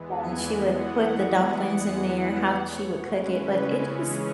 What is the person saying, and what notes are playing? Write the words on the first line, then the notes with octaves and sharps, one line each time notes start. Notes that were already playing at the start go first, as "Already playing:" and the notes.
and she would put the dumplings in there how she would cook it but it is, uh,
Already playing: E2 E3 G#3 B3
G#5
F#5
F#5
F#5
C#5
C#3 E3 G#3 C#4 B4
G#4